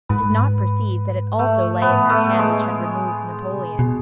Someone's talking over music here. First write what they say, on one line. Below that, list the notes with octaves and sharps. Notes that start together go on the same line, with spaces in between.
It did not perceive that it also lay in that hand which had removed Napoleon.
G#2 B4
A3
A2 B3
A3
G#3
C3
B2
A2
B2